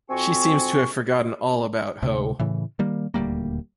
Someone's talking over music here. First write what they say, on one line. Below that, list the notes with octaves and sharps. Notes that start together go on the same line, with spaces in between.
She seems to have forgotten all about Ho.
F2 C4 F#4 G#5 C#6
D2 C3
A2 C#3 E3
D#3 G3 A#3
D#1 D2 G3 A#3